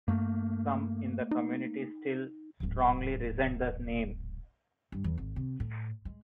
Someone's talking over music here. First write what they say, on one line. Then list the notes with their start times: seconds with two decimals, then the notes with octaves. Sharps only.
Some in the community still strongly resent the name.
0.08 G2 A3 A#3
1.31 D#4
2.60 D1 G#1
4.92 G2
5.04 E2
5.18 G#1
5.36 C3
5.60 A2
6.05 G#3